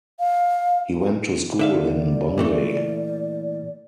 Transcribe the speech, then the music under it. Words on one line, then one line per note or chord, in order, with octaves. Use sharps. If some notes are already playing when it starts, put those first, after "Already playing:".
He went to school in Bungay.
F5
D3 D5 E5 F5
A#2 E3 A3